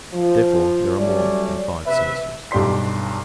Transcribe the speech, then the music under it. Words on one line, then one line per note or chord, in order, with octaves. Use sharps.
Therefore there are more than five senses.
F3
F#3 G3 A3 C#4 D5
C3 B4 E5
B1 G2 G4 D5 C6 B6